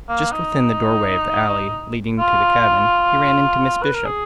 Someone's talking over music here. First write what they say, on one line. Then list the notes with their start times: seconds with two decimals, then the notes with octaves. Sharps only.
Just within the doorway of the alley leading to the cabin, he ran into Miss Bishop.
0.09 A#3
0.32 D#4
2.19 F4
3.83 B4
3.94 A#4
4.06 G#4